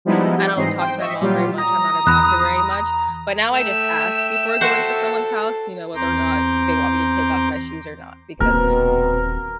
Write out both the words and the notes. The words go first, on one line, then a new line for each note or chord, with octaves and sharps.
I don't talk to my mom very much. I'm not around her very much, but now I just ask before going to someone's house, you know, whether or not they want me to take off my shoes or not because
F3 G3 G#3 B3 D#4 E4
G4
G#2 E3 C4 D#4 D#5 C7
C5 G5
D#5 E5 C#6
A#2 F#3 G3 F4 G4
A#5 D#6
E2 B5 F#6
A3 E5 G5 E7
F#4 A4 C5
E2 C4 A#5 C6 D6 G6
D#1 B2 A#3 C4 E4 A#4 B4